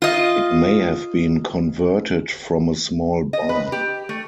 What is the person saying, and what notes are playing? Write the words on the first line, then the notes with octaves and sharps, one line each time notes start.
It may have been converted from a small barn.
F4 D#5
D#5
B4
G4
A3